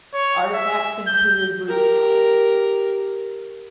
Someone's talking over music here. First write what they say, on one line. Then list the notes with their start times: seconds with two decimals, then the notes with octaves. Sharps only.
Artifacts included roof tiles.
0.13 C#5
0.53 E5
1.07 G6
1.68 G4 A#4